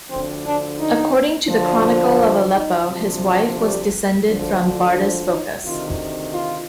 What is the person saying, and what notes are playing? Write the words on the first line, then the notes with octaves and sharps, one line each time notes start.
According to the Chronicle of Aleppo, his wife was descended from Bardas Phokas.
D2 D3 F3 C4
D4
D#4
D2 D3 F3
F4
D#4
D2 C3 F3
F4
G3
D2 D3 F3
D4
D#4
D2 C3 D#3 F4
F4